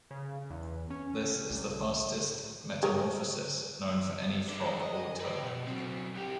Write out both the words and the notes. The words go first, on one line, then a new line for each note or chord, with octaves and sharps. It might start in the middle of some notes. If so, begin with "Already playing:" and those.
This is the fastest metamorphosis known for any frog or toad.
C#3
E2
C#4
C2
G#4 A#4 C#5
D3 G#3
D#5
G4 B4
B2
F#3 C4
C2 G4